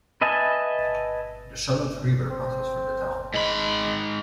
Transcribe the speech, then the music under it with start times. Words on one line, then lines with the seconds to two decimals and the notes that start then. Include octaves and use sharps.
The Shallotte River passes through the town.
0.21 B4 D#5 E5 G#5 A5
2.30 C4
3.34 G#2 G#3 B5